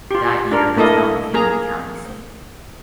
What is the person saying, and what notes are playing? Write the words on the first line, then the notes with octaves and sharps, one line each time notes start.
That year, the town became the county seat.
F4 G4
D4 A#4
A3 A#3 E4 A4 D#5
A#3 G#4 A#5